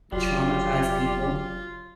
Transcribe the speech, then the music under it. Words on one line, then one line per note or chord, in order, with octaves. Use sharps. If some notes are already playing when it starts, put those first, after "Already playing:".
Traumatized people.
F1 F#3 G3 F4